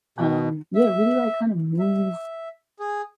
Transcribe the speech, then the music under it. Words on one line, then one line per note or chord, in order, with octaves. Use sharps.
um, yeah, really, like, kind of move
B2
E5
E5
G#4